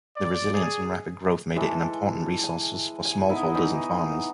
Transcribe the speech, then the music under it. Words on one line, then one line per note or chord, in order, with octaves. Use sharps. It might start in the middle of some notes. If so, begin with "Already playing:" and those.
The resilience and rapid growth made it an important resource for smallholders and farmers.
D5
G#4
E3 G#3 A4
G#5
G#5
B3 D#4 E4
E3 D#4